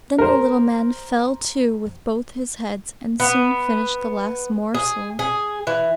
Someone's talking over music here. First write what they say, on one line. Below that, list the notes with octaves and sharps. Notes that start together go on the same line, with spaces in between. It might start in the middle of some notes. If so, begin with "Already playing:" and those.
Then the little man fell to with both his heads, and soon finished the last morsel.
A#4 C5
B3
G#4
G#4
E3